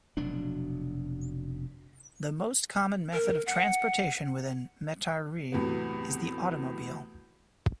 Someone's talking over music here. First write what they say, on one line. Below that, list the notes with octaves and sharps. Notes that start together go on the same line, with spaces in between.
The most common method of transportation within Metairie is the automobile.
F1 B2 F#3 D4
A#4
F#5
E2 A2 C3 F#3 B3